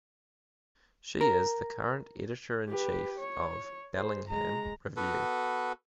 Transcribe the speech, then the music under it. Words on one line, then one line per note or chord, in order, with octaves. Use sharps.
She is the current Editor-in-Chief of "Bellingham Review".
A#4
G4 B4
C#5
G#4 C5
G#3 A#5
B3 F#4 A4 B4